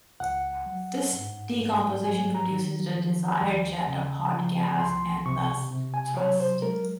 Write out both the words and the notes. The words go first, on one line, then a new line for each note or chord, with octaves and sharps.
This decomposition produces the desired jet of hot gas and thus thrust.
C#2 F#5
F#3
G#2
G#2
F#3 G#5
A#5
D#3
F3
D#2
C#3
F3
C2 C6
C3 C#6
C3
G#5
F#3 C#5
C5
G#3 A#4